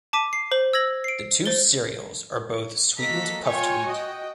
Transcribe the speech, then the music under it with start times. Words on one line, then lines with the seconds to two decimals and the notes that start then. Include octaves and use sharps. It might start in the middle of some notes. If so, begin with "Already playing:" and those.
The two cereals are both sweetened puffed wheat.
0.13 A5 D6 B6 D#7
0.33 C7
0.52 C5 F#7
0.73 E6 G#6 A#6 F#7
1.04 C7 D7
1.45 C5 A6 G7
2.99 A#3 F#4 A4 D#5 A#5 B6
3.44 F4 C#5 G5 G#5 C#6
3.84 F#4 D#5 G5